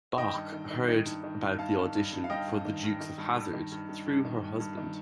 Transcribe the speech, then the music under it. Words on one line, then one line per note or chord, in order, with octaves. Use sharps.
Bach heard about the audition for "The Dukes of Hazzard" through her husband.
D#3 D#5 G5
G2
D#3
D#3
D#3
G2
D#3
G2
G2 F5 A5
G2
G2
G2
F5
G2 D#5 G5
G2
D#3
G2
D#3
G2
G2
D#3
G2
G2
G2
D#3
G2
G2
D#3